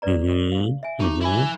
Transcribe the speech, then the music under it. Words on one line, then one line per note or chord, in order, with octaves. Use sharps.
Mhm, mhm.
B4 D5 A#5
F5
E5 G#5
D#4 A5 C#6 D6
E4 E5 G#5 B5